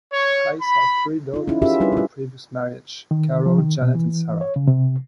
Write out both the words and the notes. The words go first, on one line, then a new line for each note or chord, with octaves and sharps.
Hays has three daughters from a previous marriage: Carol, Janet and Sarah.
C#5
B5
D#4 F4
C#4 D#4 E4
C#4 F4 G4 G#4 A#4 E5
G3 D4 E4 B4
E4 F4
D#3
F3
D#3
B2
E3
C#5
C#3
C3